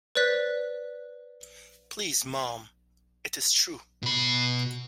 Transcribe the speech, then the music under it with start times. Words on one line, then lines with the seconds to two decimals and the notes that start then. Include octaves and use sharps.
Please, mum, it is true.
0.15 B4 C5 D5 F#6 B6
4.03 B2 B5